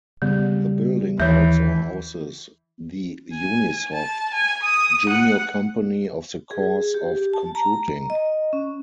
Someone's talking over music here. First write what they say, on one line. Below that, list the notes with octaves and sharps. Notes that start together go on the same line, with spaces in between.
The building also houses the Unisoft, junior company of the course of computing.
C#3 G3 B3
D#2 E3 C#5 E5 G6
G#5
A5
G#5
D#6
F#5
G#4
G4
A5
A#5
A#5
D#5
C#4